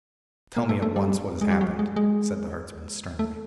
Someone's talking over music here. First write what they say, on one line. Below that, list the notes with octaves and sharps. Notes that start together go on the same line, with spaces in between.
'Tell me at once what has happened,' said the herdsman sternly.
A#3
A3
A3
G3
G#3
G3
F#3
G#3
G#3
A3